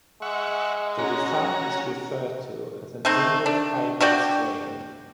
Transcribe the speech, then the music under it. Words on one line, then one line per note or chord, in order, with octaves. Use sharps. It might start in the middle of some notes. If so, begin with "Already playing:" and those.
The result is referred to as a inbred hybrid strain.
G#3 E5 F#5 C#6
C#4 F#4 A#5
A3 C4 D#4
D4
D4 F#4 D5 G5